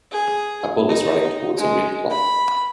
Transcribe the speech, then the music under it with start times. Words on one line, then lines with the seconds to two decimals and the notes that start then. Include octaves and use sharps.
A bull is running towards a red cloth.
0.11 G#4
0.88 D#4
1.58 G#3
2.10 B5